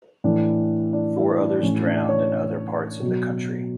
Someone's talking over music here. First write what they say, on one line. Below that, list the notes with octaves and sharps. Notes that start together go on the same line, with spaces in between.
Four others drowned in other parts of the country.
A2 E3 D4
D4
E4
D4
A2 E3 C#4
D4
C#5
B2 F#3